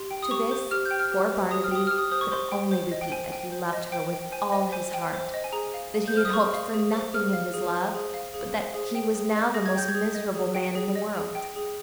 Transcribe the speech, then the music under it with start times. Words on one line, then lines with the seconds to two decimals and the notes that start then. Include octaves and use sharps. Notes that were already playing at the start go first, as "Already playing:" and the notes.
To this poor Barnaby could only repeat that he loved her with all his heart, that he had hoped for nothing in his love, but that he was now the most miserable man in the world.
Already playing: G4 C6
0.11 G5
0.22 D#6
0.31 G4 C#6
0.51 C5
0.71 G4 F6
0.85 G6
0.91 G5
0.99 F6
1.12 G4
1.31 C5
1.51 G4 D#6
1.64 F6
1.71 G5 D#6
1.87 G4 F6
1.98 D#6
2.12 C5 D#6
2.21 C#6
2.32 C5 C6
2.52 G5
2.71 C5
2.91 D#5
3.01 G5
3.12 C5 G#5
3.32 G5
3.52 C5
3.73 D#5
3.92 C5 G5
4.13 G5
4.32 C5 G#5
4.52 D#5
4.72 C5 G#5
4.94 G5
5.13 C5
5.34 D#5
5.44 G#5
5.53 G#4 A#5
5.74 F5
5.94 G#4
6.08 G6
6.14 C5 F6
6.25 D#6
6.33 G#4 C#6
6.54 F5
6.74 G#4
6.93 C5
7.13 G#4 F6
7.33 F5
7.54 G#4
7.74 C5
7.95 G#4
8.14 F5
8.34 G#4
8.55 C5
8.74 G#4
8.95 G5
9.15 G#4
9.34 D#5
9.54 G#4 A#6
9.66 G#6
9.75 G5 G6
9.88 G#6
9.95 G#4
10.15 D#5
10.35 G#4
10.55 G5
10.75 G#4
10.95 D#5
11.15 G#4
11.35 G5
11.56 G#4